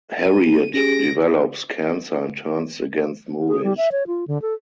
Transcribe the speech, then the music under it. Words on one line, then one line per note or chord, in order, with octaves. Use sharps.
Harriet develops cancer and turns against movies.
D#7
C#4 G4 G#4 A#6 D7
G#4
G3
E5
C#5
F4
D3
A4